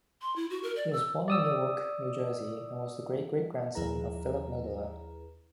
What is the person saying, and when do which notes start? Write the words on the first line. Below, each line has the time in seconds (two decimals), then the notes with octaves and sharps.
He was born in Newark, New Jersey and was the great-great-grandson of Philip Milledoler.
0.22 C6
0.36 E4
0.50 F#4
0.63 A#4
0.76 D5
0.93 E6
1.28 D5 D#6 E6
3.75 D#2 F3 E4 G#4 B4 A#5